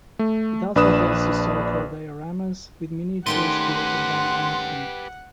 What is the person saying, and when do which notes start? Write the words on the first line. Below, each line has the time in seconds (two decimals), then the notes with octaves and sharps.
It also has historical dioramas with miniatures created by Marnie King.
0.19 A3
0.76 A#1 D4 B4 D#6 E7
3.26 D#3 A3 C#4 G4 B4 F#5 C6